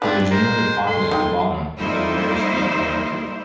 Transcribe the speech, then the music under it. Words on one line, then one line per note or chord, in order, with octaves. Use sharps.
There is generally a pocket at the bottom that the wearer's feet go into.
E3 F3 C4 D4 B4
G#3 A#4 C5
A4 C6
G#3 D#4 G5
G3 A#3 D#4 E4 C5